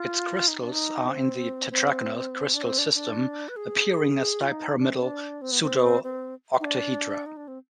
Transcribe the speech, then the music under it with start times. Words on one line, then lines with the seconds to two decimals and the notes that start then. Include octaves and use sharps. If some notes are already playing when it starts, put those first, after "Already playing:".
Its crystals are in the tetragonal crystal system, appearing as dipyramidal pseudo-octahedra.
Already playing: F4
0.48 D#4
0.60 D4
0.72 D#4
1.09 C4
1.71 C4
2.54 D4
2.63 C4
2.78 D4
2.95 D4
3.48 B4
3.56 G#4
4.41 F4
4.48 D#4
4.79 D4
4.91 C4
5.02 D4
5.42 C4
5.52 B3
5.62 C4
6.04 C4
6.60 D#4
6.65 D4
7.26 D#4
7.37 D4
7.48 C4